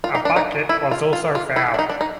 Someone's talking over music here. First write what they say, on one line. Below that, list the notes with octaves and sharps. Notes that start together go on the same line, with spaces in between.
A bucket was also found.
F4
D#4
D4
D#4
E4
F4
F4
F4
E4
D4
D#4
D4
D#4